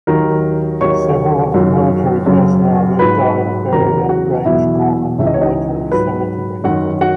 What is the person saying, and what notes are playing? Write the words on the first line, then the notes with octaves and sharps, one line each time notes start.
Several of the military personnel who died are buried in Grangegorman Military Cemetery.
D#2 D#3 F#3 A#4 A#5
D#2 D#3 F#3 C#5 C#6
F#2 D#3 F#3
F#2 C#3 F#3
G#2 F#3 B4 B5
E2 C#3 F#3 A#4 A#5
F#4 F#5
E2 B2 F#3 E4 E5
C#2 C#3 E3 E5
D#5
C#5
D#4 D#5
G#2 F#3 B4 B5
F#2 D#3 F#3 F#4 F#5
F#4 F#5